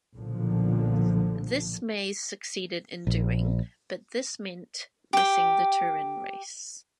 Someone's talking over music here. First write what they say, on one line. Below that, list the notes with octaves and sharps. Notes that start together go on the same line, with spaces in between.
This Mays succeeded in doing, but this meant missing the Turin race.
B1 A#2 D3 F3
A#1
G4 G5